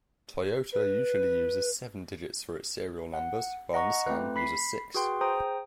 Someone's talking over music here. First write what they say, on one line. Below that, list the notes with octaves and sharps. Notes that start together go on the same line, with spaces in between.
Toyota usually uses seven digits for its serial numbers while Nissan uses six.
B4
F#5
D#5 F#5 A#5 C#6
A3 C4 F4 B4
B5 B6 C7
F#4 G#4 B4 G5 C6
G#4 C5 G5 A#5 D#6